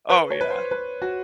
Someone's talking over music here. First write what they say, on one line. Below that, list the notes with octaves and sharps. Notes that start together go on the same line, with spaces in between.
Oh yeah.
B4
C#5
B4
C5
B4
F#4